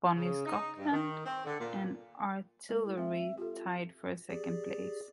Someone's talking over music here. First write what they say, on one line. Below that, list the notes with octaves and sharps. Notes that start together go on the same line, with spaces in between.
Bonnie Scotland and Artillery tied for second place.
C#3
D#4
G2
D#3
C4
D3
A#2
G#3 A4 A#4
E4
C4 E5
F4 G4 A4
G4 G#4 D5